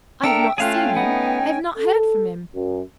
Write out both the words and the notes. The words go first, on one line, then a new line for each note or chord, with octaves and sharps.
I have not seen him; I have not heard from him.
D4 A4 A#4 E5 G5
A3 C#4 F4 G#4 F5 G#5 F#6
B3 D#4 F#5
A4
F#2